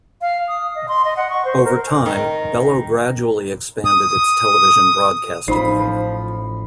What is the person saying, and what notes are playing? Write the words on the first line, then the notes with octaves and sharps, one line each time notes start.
Over time, Belo gradually expanded its television broadcasting unit.
F5
D#6
D#5
C6
D#5
F#5
C#6
C5
A#4
D#3 A#5
D#6
A1 F3 D#4 C5 B5